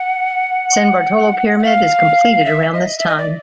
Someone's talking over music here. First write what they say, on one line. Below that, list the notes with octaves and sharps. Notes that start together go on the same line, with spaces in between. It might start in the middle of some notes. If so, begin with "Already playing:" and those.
San Bartolo pyramid is completed around this time.
Already playing: F#5
F#5
F5
E5
D#5
E5
D#5
D5